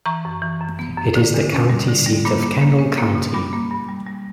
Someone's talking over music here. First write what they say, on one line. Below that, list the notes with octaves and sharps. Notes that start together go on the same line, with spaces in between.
It is the county seat of Kendall County.
E3 A#5 C#6
F#2
E3
F#2
B3
F#2
D3
E2
C#4
G3
D3
G3
A#3 B5 D6
A#3
A#3
C#4
A#3
B2
G3 B5 D6
A#3
G2
G3
G3